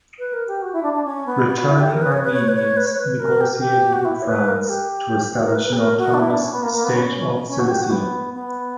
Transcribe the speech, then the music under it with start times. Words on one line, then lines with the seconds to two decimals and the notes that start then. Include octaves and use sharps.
Returning Armenians negotiated with France to establish an autonomous "State of Cilicia".
0.19 B4
0.33 A#4
0.48 G4
0.62 F#4
0.73 E4
0.83 D4
0.94 D4
1.05 C#4
1.26 B3
1.47 B3
1.59 F#4
1.69 E4
1.80 G4
1.91 A#4
2.02 B4
2.12 C#5
2.23 B4
2.33 C#5
2.48 B4
2.55 C#5
2.77 B4
2.87 C#5
2.97 B4
3.19 A#4
3.41 G4
3.51 A#4
3.59 G4
3.93 F#4
4.05 E4
4.22 C#5
4.26 B4
4.48 A#4
4.63 A#4
4.69 G4
5.34 F#4
5.45 A#4
5.55 B4
5.66 B4
5.73 G4
5.77 A#4
5.98 F#4
6.14 D4
6.19 E4
6.30 D4
6.41 C#4
6.52 B3
6.63 A#3
6.73 A#3
6.84 B3
6.95 C#4
7.48 C#4
7.59 F#4
7.69 G4
7.81 F#4
7.91 B3
8.34 B3